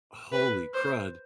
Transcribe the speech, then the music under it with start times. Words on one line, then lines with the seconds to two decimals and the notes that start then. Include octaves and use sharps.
"Holy crud,
0.32 B4
0.74 C5